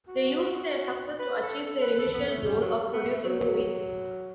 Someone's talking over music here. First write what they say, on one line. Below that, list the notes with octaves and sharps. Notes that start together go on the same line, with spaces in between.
They used their success to achieve their initial goal of producing movies.
F#4
B4
A4
A4
B4
A4
B3
A3
G3
F#3
G3
B3
A3
F#3
F#3